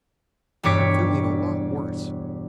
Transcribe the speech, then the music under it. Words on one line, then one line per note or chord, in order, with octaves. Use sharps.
"I'm feeling a lot worse."
E1 G2 C#5 D6 B6